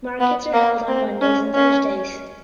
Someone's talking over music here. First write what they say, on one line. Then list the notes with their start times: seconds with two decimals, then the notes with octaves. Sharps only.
Markets are held on Mondays and Thursdays.
0.20 B3
0.54 A#3
0.88 C4
1.22 C#4
1.55 C#4